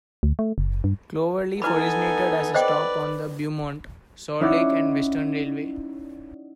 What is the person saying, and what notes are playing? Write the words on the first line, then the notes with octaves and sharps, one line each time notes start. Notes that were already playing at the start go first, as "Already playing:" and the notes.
Cloverleaf originated as a stop on the Beaumont, Sour Lake and Western Railway.
D2
A3
F#1
G2
B3 D#4 E4 A4 B4 G#5 B5
B4 C5 D5 D#5 G5
C#4 D#4 E4 C#5 D5 F#5